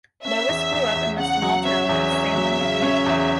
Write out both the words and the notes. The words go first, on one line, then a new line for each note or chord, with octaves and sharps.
Lois grew up in the small town of Salem, Utah.
C#4 E5
E2
E2
E2
C#3 F#5
F#3
C#4 E5
E2
C#4
F#3
C#3
C#4
E2